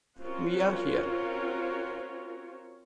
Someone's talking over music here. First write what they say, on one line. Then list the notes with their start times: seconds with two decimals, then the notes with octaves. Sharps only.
We are here.
0.19 C4 C#4 F4 F#4 A#4 C#5